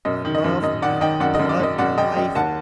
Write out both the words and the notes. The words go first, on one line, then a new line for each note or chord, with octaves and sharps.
My love, my blood, my life!
F#2 D#5
D#3
D#5
F#2
F#2 D#5
D#3 D5 F#5
D#3 D#5 G5
F#2 D5 F#5
D#5
F#2
D5
F#2 D#5
F#2 D5 F#5
F#2 D#5 G5
F#2 D#5 G5
D#2 F#5 A5